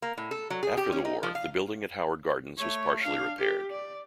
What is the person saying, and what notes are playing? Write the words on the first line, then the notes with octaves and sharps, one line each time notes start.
After the war the building at Howard Gardens was partially repaired.
A#3
A2
A4
F#3
G#4
G4
C#4
D#4
F3
F5
A3 C#5
D4 F5
G4
D5